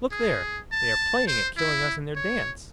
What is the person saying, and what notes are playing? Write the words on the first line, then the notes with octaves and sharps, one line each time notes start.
"Look there! they are playing at killing us in their dance."
G#4
A5
C5
E4
C#5